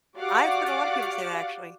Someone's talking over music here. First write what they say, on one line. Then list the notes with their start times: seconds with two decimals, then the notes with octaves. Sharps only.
I've heard a lotta people say that, actually.
0.19 F#4 G4 D5 F5 F#5 D6